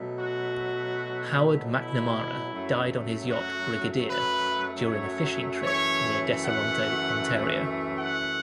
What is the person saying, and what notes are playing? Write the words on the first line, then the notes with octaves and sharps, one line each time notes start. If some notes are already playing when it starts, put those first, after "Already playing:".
Howard McNamara died on his yacht "Brigadier" during a fishing trip near Deseronto, Ontario.
Already playing: B2 F#3 A3
F#4
E4
F#2 F#3 A3
F#4
B4
C#5
F#2 E3 A3 C#5
F#5
F#5